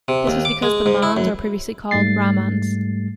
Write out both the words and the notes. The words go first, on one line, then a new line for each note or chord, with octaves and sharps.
This was because the Mons were previously called Ramans.
C3
D#2
D6
G#3
G#2
E4
F#2
G#2 G3 A3 A6 C7